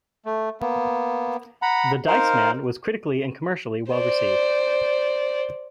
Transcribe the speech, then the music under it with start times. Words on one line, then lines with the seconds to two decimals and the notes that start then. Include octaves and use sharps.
"The Dice Man" was critically and commercially well received.
0.25 A3
0.61 A#3 B3
1.62 F#5 A#5 B5
2.07 D#4 A#4 C5 F5
3.91 C5 D5